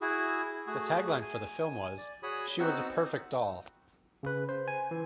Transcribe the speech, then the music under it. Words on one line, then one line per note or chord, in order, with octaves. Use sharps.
The tagline for the film was She was a perfect doll.
E4 F#4 G#4
A3 F#4 G#4
G#5
D5
F#4 G#4 C#5 B5 D#6
B3 C4 D#4 F#4 F#5 E6
C#3 B4
C5
G#5
E3